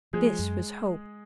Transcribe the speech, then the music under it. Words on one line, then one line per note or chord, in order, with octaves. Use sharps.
This was Hope.
F3 G#3 G#4
F#2